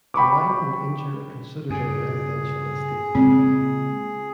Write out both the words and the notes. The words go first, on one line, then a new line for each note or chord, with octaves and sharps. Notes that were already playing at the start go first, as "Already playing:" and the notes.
The line would injure a considerable residential estate.
G5 B5 C#6 D6
G2 C#3 G#4
A#2 C#3 G#3 C4